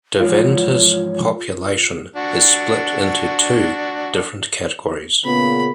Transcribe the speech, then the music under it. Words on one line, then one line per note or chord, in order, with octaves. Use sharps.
Derventa's population is split into two different categories.
G#2 E3 F3 F4 C#5
D4 F#4
A#2 C#3 B3 B5